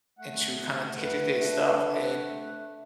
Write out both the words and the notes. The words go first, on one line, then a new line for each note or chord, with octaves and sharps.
into kind of day-to day stuff, and
A3 F#5
B4
D4 E5 D6